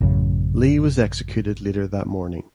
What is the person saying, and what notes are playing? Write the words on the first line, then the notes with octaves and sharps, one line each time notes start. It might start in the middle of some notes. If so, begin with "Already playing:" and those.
Lee was executed later that morning.
A1 F#2 C#3